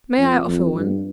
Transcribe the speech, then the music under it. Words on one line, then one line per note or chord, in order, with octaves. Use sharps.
"May I offer one?"
F2
F2
G2